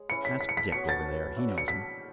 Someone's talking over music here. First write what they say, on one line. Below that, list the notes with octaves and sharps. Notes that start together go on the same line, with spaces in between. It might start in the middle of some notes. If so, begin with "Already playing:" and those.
"Ask Dick over there; he knows him."
Already playing: G#3 G#4 C#5
C#4 E4 B4 C#7
B6
B6
C#7
B6
B3 F#4 C#5 C#7
A6
D4 F#4 C#5 E5
C#7
B6